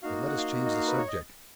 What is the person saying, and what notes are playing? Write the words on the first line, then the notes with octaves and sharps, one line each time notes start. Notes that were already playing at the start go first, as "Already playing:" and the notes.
But let us change the subject.
A#3 D#4 F#4 F5
F#5
F5
D#5
F5
B4
C#5
D#5